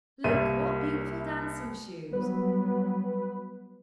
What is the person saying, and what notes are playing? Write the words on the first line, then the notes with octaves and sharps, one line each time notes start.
"Look, what beautiful dancing shoes!"
C2 A#3 E5 D#7
F#3 G3 B3 B4